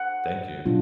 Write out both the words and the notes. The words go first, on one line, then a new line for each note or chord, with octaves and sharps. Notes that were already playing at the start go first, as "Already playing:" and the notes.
Thank you.
Already playing: F#5
B2 F#3 D4 F4